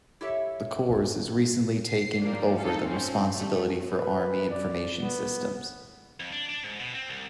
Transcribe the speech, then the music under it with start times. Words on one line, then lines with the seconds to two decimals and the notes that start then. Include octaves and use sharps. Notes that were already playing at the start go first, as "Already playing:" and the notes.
The Corps has recently taken over the responsibility for Army Information Systems.
0.21 E4 G4 A4 C#5 E5
1.88 C7
2.21 F3 G3 A#3 D4
2.56 D#4 A4 F5
2.86 F3 C4 C#4
3.30 F#3 G3 A3
3.91 B4
4.51 D5
5.01 B3
6.20 F2
6.32 D4
6.49 D4
6.64 G#2
6.80 B2
6.95 C4
7.08 C2